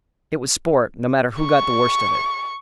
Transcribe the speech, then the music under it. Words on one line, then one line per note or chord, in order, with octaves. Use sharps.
It was sport, no matter who got the worst of it.
C#6